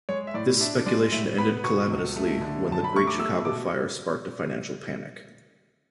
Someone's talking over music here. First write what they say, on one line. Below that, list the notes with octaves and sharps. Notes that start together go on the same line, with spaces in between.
This speculation ended calamitously when the Great Chicago Fire sparked a financial panic.
G#3 C#5
E5
A2 D5
D4 E5
G#3 D5
A2 E5
B3 B5
B2 C#6
C#2
A3
D3
F#2 A5
B5
A3 C#6
D6
A3 E6
B2 D6